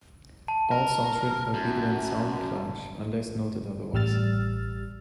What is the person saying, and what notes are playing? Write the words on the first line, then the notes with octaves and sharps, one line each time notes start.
All songs written by Bedouin Soundclash unless noted otherwise.
A5
A#4
F#2
A1 G3 E6 F6 A6